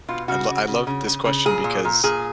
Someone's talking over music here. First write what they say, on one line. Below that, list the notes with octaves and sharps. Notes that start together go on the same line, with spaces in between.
I lo I love this question because
B2 F4
C#3 F#4
C#3
C#3
C#3
C#3
C#3
A#2 G#4
A#2
A#2
A#2 G#4